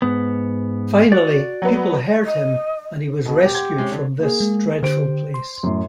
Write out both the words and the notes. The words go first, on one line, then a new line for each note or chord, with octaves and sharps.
Finally people heard him and he was rescued from this dreadful place.
G#2 B3
F#4 D5
F#3 B3
D#5
E1 B2
G4
F#5 C6 G#6
C3 G#3 C#4
D3
A#3 G#4
G#3
D3 G4 C5 D7
C6
F#2 A2